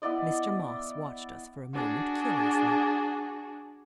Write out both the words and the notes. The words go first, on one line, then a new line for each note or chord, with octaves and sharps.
Mr. Moss watched us for a moment curiously.
B3 E4 D5 D#5
D4 F#4 G#4